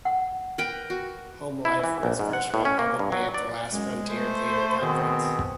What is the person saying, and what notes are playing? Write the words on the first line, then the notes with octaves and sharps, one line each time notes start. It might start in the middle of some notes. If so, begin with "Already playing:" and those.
"Homelife" was first read publicly at the Last Frontier Theatre Conference.
F#5
A#4 B4 G5
F#4
E4
E3
A#1
G#2
F#5
A2
C#4
A#3
G2
F#3
D5
F#2 G#3
A3 C5
B2 D#3 C4 G#4